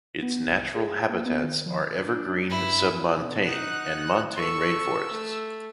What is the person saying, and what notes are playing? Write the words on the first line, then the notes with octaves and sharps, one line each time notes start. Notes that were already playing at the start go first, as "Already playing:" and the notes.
Its natural habitats are evergreen submontane and montane rainforests.
B3
C2
G#4
A#3
B3
D#3
F3
D4
G2 E4
B2 D3
D#4 F#5 F#6
A4 C#6 E6
A3